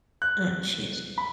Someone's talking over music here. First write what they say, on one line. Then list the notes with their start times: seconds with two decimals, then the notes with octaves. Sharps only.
Ah, jeez.
0.22 F#6
1.18 B5